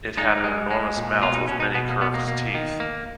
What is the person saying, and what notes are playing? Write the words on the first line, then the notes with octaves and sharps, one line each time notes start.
It had an enormous mouth with many curved teeth.
G#3 D#4
G#3
G#3
A#2
B2 F4
D#4
B2 C#4
D#4
B2 B3
A#3
B2 B3
A#3
A#3
D#3
A#3